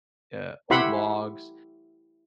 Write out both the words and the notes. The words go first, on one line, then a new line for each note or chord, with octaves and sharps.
uh, old logs,
E4 G4 E5 F#5 B5 C6